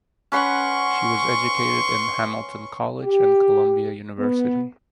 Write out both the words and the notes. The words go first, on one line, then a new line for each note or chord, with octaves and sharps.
She was educated in Hamilton College and Columbia University.
C#4 B4 F#5 C6 C#6
G4
B3